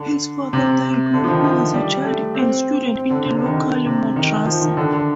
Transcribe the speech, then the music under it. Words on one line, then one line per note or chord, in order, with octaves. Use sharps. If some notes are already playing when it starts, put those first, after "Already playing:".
His father died when he was child and student in the local madrasa.
Already playing: D3
C3
D3
F3
D#3
F3
G3
A3
C4
C4
D3
C3
D3
D#3
D3
C3
D#3
F3
D#3
D3
D3